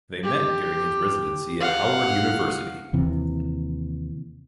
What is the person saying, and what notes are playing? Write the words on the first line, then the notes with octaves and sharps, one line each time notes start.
They met during his residency at Howard University.
G4
F5 F#5
D#2 C3 E3